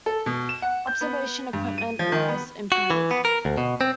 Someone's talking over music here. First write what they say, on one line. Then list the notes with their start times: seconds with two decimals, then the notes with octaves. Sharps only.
Observation equipment was improved.
0.06 A4
0.26 B2
0.49 E7
0.62 F#5
0.87 G6
1.01 B3
1.53 G2
1.78 D#7
1.99 F3
2.12 D#3
2.28 B3
2.72 F#4
2.90 E3
3.11 B3
3.25 A#4
3.45 D2
3.58 B2
3.81 C4